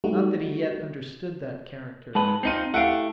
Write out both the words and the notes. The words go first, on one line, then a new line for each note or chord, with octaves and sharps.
Not that he yet understood that character.
G3 A3 D#4 F#4
G#2 G#3 B4 A5
C4 D#4 F4 C7 C#7 D#7
A3 E4 G4 F5 F#5 D7